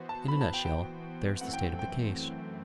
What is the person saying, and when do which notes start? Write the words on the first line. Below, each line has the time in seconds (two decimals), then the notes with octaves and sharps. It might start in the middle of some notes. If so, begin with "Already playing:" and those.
In a nut-shell, there's the state of the case.'
Already playing: E3 B3 F#4 C5
0.09 A5
0.28 B5
0.41 A5
0.54 G5
0.65 G5
1.41 F#2 E3 A3 C4 F#5
1.54 G5
1.67 G5
1.79 G5